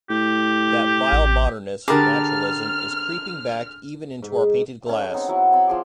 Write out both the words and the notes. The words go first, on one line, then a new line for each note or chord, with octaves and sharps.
That vile modernist, naturalism, is creeping back even into our painted glass.
A2 G4
A1
D3 G4 G#4 A#4 A5 B5 D6 F6
G#2
A3 C#4
G#4
B3 C4 D#4 C#5
F#3 E4 F#5 C#6
C4 C#5 A5 B5
F3 G#4 C6 D6